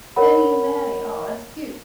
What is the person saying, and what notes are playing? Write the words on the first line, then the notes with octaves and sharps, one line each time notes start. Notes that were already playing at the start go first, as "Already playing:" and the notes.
Penny and Maddie, aw, that's cute.
A#4 C#5 F#5 B5